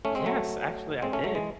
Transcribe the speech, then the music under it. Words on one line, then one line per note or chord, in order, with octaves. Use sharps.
Yes, actually, I did.
A3 C#4
G#3 C4
F#3 A3
G#3 C4
A3 C#4
F#3 A3
E3 G#3